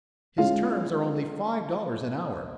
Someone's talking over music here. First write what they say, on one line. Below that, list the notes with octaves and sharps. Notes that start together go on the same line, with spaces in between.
His terms are only five dollars an hour.
G#3 C#4 F4 F5